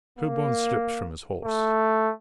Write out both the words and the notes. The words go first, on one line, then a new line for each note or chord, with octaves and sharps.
Sherburne slipped from his horse.
A#3
A3